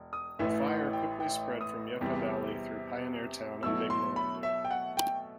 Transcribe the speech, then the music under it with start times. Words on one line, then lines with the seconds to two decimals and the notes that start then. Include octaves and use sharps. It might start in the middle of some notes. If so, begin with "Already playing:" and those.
The fire quickly spread from Yucca Valley through Pioneertown and Big Morongo.
Already playing: E1
0.13 D#6
0.39 A1 A2 E3 E5
0.67 F#5
0.93 G5
1.20 G5
1.61 D#6
2.01 E2 C3 E3 G3 C4
3.63 B2 F#3 A3 E4 E6
3.90 C6
4.16 B5
4.43 E5
4.65 G5
4.71 F#5
4.97 G5